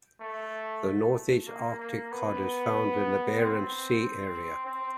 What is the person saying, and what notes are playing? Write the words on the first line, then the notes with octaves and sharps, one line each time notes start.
The Northeast Arctic cod is found in the Barents Sea area.
A3
A#3
A#3
B3
C4
C4